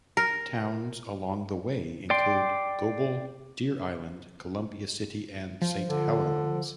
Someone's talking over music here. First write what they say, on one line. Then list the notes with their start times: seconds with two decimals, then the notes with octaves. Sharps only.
Towns along the way include Goble, Deer Island, Columbia City, and Saint Helens.
0.17 A#4
2.10 D5 G5 C6
5.62 F3
5.89 D3